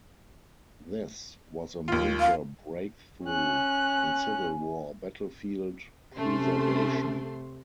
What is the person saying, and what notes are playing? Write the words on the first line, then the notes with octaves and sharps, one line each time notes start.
This was a major breakthrough in Civil War battlefield preservation.
D#2 F4
F5
C#4 G#5 F#6
C3 A3 C#4 C6